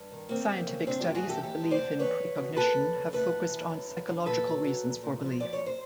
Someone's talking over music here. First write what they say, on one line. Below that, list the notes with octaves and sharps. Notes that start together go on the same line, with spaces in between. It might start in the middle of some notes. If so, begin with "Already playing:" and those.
Scientific studies of belief in precognition have focused on psychological reasons for belief.
Already playing: G2
D#3
E2 A#3 C4
E2
C#3
G2 C4 D4
G2 F4 G4
F#4 G#4
E3
G4 A4
D#2 G4 A4
G#3
C5 D5
D3
E2 B4 C#5
E2
B2
D#2 A4 B4
D#2
C#3
A2 A4 B4
A2
E3
F#2
F#2
D3
A#2 A4 B4
F#3
F#3
A#2
A#2
F3
F#2 D5
C#5
F#2
C5